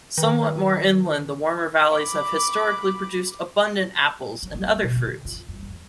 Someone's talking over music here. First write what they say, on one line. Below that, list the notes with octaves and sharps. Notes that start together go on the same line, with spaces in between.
Somewhat more inland the warmer valleys have historically produced abundant apples and other fruit.
D#3
B5 D6
F#3
B3
G3
B2
D3
F4
G2
E2